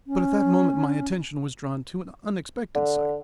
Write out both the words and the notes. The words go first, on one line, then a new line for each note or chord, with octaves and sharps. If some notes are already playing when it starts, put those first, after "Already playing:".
But at that moment my attention was drawn to an unexpected sight.
C#4
D3